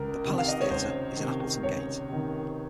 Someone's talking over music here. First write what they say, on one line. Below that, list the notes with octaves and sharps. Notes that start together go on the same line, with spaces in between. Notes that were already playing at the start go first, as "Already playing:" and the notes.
The Palace Theatre is in Appletongate.
Already playing: C#2 A#4
C3 D#3
F5
D#5
C#5
C#2 C5
C3 D#3
C#2 C#5
C3 D#3